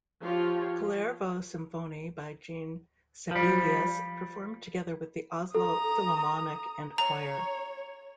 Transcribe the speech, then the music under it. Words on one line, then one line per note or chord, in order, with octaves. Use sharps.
"Kullervo-symfoni" by Jean Sibelius performed together with the Oslo Philomonic and choir.
F3 F4 G4 C#5
F3 G3
A4 A#5 D#6
C#5 A#5